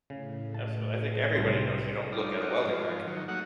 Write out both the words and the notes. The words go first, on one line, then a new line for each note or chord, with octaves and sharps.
Absu I think everybody knows you don't look at a welding arc.
A2 C#3
A5
C2 A3 C5
G3 D4 D#4 F4
D#4 F#4 D5
G#2 F3
D#3 F#3
F#3 A3 A#3 D#4 F#4 F#5